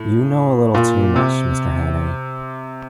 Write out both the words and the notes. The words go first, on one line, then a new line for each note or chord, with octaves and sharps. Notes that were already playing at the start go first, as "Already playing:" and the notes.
You know a little too much, Mr Hannay.
Already playing: A2
A#2
C3